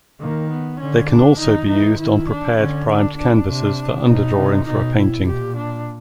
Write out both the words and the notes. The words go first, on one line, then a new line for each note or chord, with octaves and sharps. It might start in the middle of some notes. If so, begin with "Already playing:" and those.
They can also be used on prepared primed canvases for underdrawing for a painting.
D#3 A#3
B3
D3 C#4
D4
D#3 D#4
E3 D#4
D#3 E4
D4
D3 C#4
D4
D4
C3 D4
B2 D#4
C3
B2 D#4
E4
A#2 G4
D4